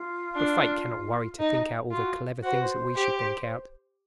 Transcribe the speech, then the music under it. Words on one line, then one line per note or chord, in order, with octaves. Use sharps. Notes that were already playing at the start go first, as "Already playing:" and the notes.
But Fate cannot worry to think out all the clever things that we should think out.
Already playing: F4
D4
D#4
F4 F#4
F#4 C5
B4
C5
G4